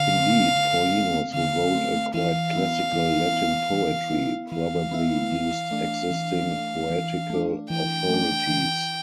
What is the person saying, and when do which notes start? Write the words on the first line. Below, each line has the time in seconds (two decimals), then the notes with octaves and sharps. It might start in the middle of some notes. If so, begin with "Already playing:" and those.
Indeed, Paulinus, who wrote a quite classical Latin poetry, probably used existing poetical authorities.
Already playing: D3 A3 F5
0.15 A3 C4
0.55 D3
0.94 A3 C4
1.34 D3 F5
1.75 A3 C4
2.14 E3 F5
2.53 B3 E4
2.93 E3
3.32 B3 E4
3.72 E3
4.13 B3 E4
4.52 E3 F5
4.91 B3 E4
5.32 E3
5.71 A3 D4
6.11 E3
6.51 A3 D4
6.90 E3
7.30 A3 D4
7.70 E3 G5
8.09 A3 D4
8.49 E3